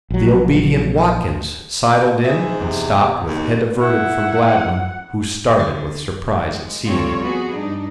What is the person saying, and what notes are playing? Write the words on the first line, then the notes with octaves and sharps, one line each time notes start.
The obedient Watkins sidled in and stopped with head averted from Gladwin, who started with surprise at seeing him.
A#1 F#3
G#2 E3 E5 D#6
E2 C3
D#2 B2
E4 F#5
D3
G#3
F3 G3 C4 F4 A4 C#5
B3 F#4 G#4
G2 D4 D#4